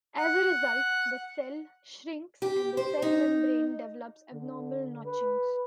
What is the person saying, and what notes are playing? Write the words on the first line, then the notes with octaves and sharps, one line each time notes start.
As a result, the cell shrinks and the cell membrane develops abnormal notchings.
F#5
G4
C5
D#4
D3
B4